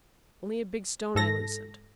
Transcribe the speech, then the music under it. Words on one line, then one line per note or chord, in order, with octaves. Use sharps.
Only a big stone I loosened.
G#2 A4 A#6